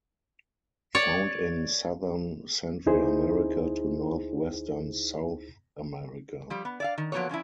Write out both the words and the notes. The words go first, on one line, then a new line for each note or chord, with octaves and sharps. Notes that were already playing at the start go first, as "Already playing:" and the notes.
Found in Southern Central America to northwestern South America.
C#5 D5
D2 D#4 E4 G#4 C5
F3 G3
B3
D5 E5 F5
D#3
F3 F#3 A#3 B3 F#4 C#5
F3 C#4 D4 E4